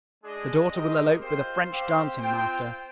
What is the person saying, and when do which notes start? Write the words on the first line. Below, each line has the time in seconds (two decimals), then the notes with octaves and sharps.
The daughter will elope with a French dancing-master.
0.21 G#3 D4 G#4 D#5
0.70 G#3 C4 G4 A#4 D#5
1.20 C4 F4 C5
1.68 C4 G4 C5 F5
2.18 C4 F4 C5 G5